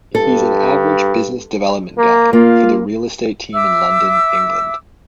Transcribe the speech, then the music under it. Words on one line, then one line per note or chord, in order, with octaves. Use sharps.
He's an average business development guy for the Real Estate Team in London, England.
G2 A4
A#3
A#3 F4
E5 D6 E6